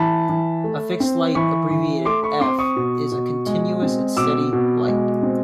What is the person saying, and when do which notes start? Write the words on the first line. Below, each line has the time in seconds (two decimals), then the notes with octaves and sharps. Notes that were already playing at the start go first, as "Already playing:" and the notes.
A fixed light, abbreviated "F", is a continuous and steady light.
Already playing: E3 A5 B5
0.29 E3
0.64 A3
1.00 C4
1.35 E3 B5 C#6
1.70 E3
2.05 A3 C6 D6
2.23 B5 C#6
2.40 C4 C6 D6
2.58 C#6 D#6
2.76 B2
3.12 B2
3.46 G#3
3.82 C4
4.17 B2 D6 E6
4.53 B2
4.87 G#3
5.23 C4